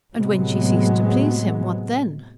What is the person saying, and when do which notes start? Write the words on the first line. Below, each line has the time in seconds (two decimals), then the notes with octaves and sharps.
And when she ceased to please him, what then?
0.15 A2 C3 F#3 G#3 B3